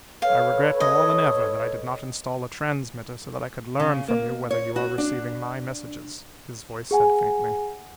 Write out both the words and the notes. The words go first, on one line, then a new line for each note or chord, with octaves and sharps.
"I regret more than ever that I did not install a transmitter so that I could learn from you whether you are receiving my messages," his voice said faintly.
A4 B4 C#5 F5
D#5
C#3
A#3
C#5
F#4
D4
G#4 F#5 G#5